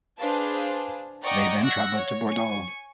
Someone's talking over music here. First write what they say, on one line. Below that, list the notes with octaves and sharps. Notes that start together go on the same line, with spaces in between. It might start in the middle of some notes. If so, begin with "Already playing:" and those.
They then travelled to Bordeaux.
D4 G#4 B4 C5 F5 A5
D5 D#5 F#5 G5 A#5 C#6
F#5 C#6 E6 F#6 A#6
C#5 C#6
G#5 C#6